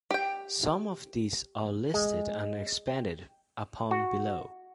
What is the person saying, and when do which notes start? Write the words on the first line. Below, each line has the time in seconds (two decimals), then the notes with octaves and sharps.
Some of these are listed and expanded upon below.
0.11 G4 G5
1.94 G#3
2.87 G5
3.91 F#4